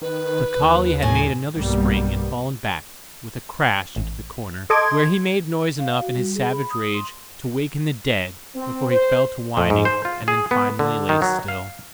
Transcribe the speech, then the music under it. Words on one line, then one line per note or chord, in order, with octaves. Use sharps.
The collie had made another spring and fallen back with a crash into the corner, where he made noise enough in his savage rage to waken the dead before he fell to whining and then finally lay still.
D#3 B4
D#2
A2 G#5
B1 G2 G3 A#3 B3
A1
A4 D#5 C6 D6 G#6
F5
F#4
G3
G#4
B5
D#6
C6
C4
C5
F2
G#2
C5
F4
G#4
B3
D3
D#3
F#3
F5